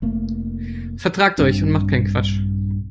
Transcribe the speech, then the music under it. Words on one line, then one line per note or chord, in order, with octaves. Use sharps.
Vertragt euch und macht keinen Quatsch.
F1 A3 A#3
A#1 G2 C4 D4